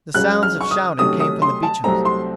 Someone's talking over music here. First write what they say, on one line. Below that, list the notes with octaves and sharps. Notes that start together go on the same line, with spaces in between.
The sounds of shouting came from the Beecham's.
C#2 C#3 F#3 F#6
F6
C#6
D#6
C3 D#3 F#3 A3 C#4 D#6
D#6
C6
A5
C2 C3 F#3 A3 C4 A#5
C6